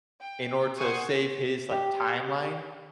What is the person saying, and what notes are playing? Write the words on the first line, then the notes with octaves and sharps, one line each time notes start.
in order to save his, like, timeline,
G5
C5 F#5 G#5 C#6 D#6
G4